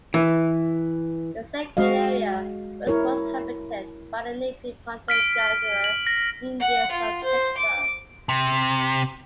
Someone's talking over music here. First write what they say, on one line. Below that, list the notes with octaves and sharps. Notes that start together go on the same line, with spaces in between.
The Seguin area was once inhabited by the native hunter-gatherer Indians of Texas.
E3
G#3 F#4 D#5 F5
E4 A#4 C#5
F6 B6 D7
F#7
A#6
F#5
F4
C5
D6
C3